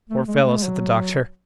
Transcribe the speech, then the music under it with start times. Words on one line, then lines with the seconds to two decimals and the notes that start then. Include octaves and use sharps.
"Poor fellow!" said the doctor.
0.09 A3
0.28 G#3
0.35 A3
0.42 G#3
0.49 A3
0.56 G#3
0.64 F#3